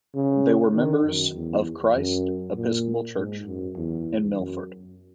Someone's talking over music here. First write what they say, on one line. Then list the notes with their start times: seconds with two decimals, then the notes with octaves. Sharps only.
They were members of Christ Episcopal Church in Milford.
0.15 C#3
0.75 D#3
1.04 F#2
1.34 E2
1.95 F#2
2.56 A#2
3.16 G#2
3.47 F#2
3.76 E2
4.36 F#2